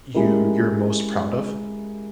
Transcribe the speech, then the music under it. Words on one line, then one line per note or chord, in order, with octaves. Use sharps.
you you're most proud of?
G#3 C#4 E4 G4 A#4